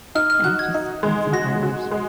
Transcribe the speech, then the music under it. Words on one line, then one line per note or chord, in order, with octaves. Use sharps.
you know, just want some prayers or
D#4 F6
F6
F#4 F#6
G#6
D#4
G#3
F#4 A#6
F#4
G#3